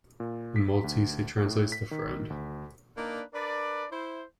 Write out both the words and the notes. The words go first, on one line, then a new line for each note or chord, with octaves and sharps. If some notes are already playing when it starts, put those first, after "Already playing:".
In Maltese it translates to "friend".
A#2
B6
D2
A2
B6
D#3
D2
A#3 D4 D#4 B4 D5
D4 A#4 B4 D5
E4 C5